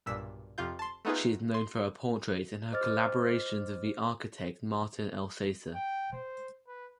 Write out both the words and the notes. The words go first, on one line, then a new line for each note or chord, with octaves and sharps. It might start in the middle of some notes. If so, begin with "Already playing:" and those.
She is known for her portraits and her collaborations with the architect Martin Elsaesser.
B1 G2 A#2 E6 B6
F2 C3 F4 G6
A5 C6
A3 B3 D#4 F4 G#4 B4
C6
C5 D#5 D6 F6 A6
G5
C5
B4